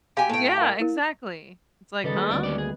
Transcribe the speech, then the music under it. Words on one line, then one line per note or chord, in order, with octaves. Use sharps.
Yeah, exactly. It's like, huh?
F#4 G4 F5 G#5
A2 G5
A#4 F5
E4 A#4
C#2 D#3 G3 A4 B4 D#5
G#3 A#3
D2 G3 C4 D5
G#3 C#4 D5
G#4